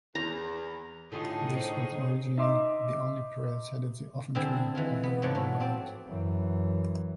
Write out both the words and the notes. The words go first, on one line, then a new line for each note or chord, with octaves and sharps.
This was originally the only prayer said at the offertory of the Roman Rite.
E2 A#5
A2 D3 D#4 F4 G#4 C#5
C5
D#4 E5 C6 D6
D3 C4 E4 G#4
E3 G#3 F4
B3
G#2 F3 F#3 D5 F#5
A2
C4 D5
F#2 E3